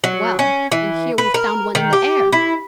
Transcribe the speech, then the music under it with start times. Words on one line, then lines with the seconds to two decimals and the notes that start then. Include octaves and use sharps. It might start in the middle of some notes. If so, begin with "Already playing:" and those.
"Well; and here we've found one in the air!"
0.04 F#3
0.39 C#4
0.72 E3
1.18 B4
1.34 A#4
1.75 D#3
1.93 G4
2.32 E4